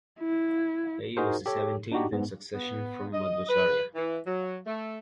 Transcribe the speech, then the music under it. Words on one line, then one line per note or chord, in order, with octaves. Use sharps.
He was the seventeenth in succession from Madhvacharya.
E4
D#4 F#4 G#4 A#4 C5
G4 A4 C#5
D4 D#4 F#4 G4
G#2 B3
B3
D#5
B4
E3
F#3
A3